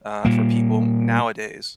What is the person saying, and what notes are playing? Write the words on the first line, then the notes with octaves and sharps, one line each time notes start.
uh, for people nowadays.
A#2 G3 A#3